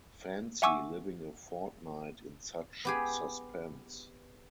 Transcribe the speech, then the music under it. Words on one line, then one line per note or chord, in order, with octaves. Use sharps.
Fancy living a fortnight in such suspense!
E5 F#5 G#5 C#6 D6 E6
B3 G4 G#4